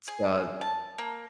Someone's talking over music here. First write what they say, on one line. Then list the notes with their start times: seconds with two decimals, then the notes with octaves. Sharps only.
It's, uh,
0.08 G#4
0.61 A5
0.98 A#3